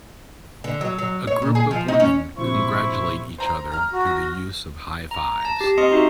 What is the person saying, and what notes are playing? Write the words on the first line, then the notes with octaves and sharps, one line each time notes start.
A group of women congratulate each other through the use of highfives.
D3
F#3
F#3
C#5
A#2
G#4
F3
D#4
C#4
A#1 C3 E4 C5 C#6
C5 A#5
A#5 F6
F#4
A#6
A#5
A5 A#6
G4
C4 D#5 C6 D#6 C#7
D#4 F#4 E5